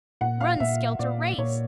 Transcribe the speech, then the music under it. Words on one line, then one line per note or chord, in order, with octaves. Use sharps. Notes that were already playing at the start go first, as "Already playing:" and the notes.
Run, skelter, race.
A#2 F#5
F5
A#2 E5
A#2 D5
A#2 C#5